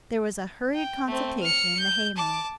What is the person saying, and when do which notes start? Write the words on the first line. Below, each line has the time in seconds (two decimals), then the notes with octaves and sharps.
There was a hurried consultation in the hay-mow.
0.74 G5
1.07 A3 C4
1.42 F6 C#7
1.79 G6
2.17 A5 D6